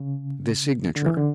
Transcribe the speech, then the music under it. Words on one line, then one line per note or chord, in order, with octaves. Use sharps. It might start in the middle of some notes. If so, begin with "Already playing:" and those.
The Signature.
Already playing: C#3
D3
E3
D3